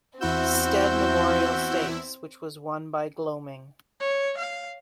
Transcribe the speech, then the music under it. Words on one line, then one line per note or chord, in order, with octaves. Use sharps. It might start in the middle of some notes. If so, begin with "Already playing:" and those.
Stead Memorial Stakes which was won by Gloaming.
E2 C4 E4 F#4 E6 G6
C#5
F5